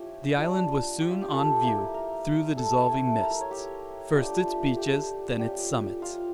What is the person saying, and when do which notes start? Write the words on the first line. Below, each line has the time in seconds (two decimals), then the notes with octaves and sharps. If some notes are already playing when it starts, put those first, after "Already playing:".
The island was soon on view through the dissolving mists, first its beaches, then its summits.
Already playing: F3 C#4 E4 G4 C#5
0.37 G3 D4 F4
1.01 G4
1.11 F4
1.21 G4
1.32 A4
1.63 A#3 E4
1.94 A#4
2.57 A4
2.89 A3 E4
3.20 A#4
3.31 A#4
3.41 C#5
3.51 G4
4.14 A3 D4 F4 G4
4.77 G4
5.39 G3 C#4 F4 G4
6.02 F4